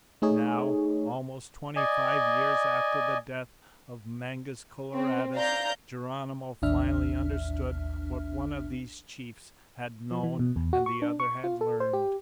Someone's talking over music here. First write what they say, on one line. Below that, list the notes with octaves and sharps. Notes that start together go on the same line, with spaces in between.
Now, almost twenty-five years after the death of Mangus Coloradus, Geronimo finally understood what one of these chiefs had known and the other had learned.
A3 D#4 G#4 C#5
D5 D#5 G#5
C4
D5 F5 A#5 G6
A1 D#2 D4 E5 F6
F3
E3
B2
E2
F#4
C#6
D4
C#6
F4
A4
C5
G4